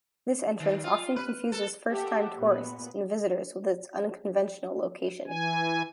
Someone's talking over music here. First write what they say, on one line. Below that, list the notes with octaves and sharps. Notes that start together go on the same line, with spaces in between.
This entrance often confuses first-time tourists and visitors with its unconventional location.
D#3
F4
B4
A4
G4 A4 E5 F#5
A#2 B3
E3 G#5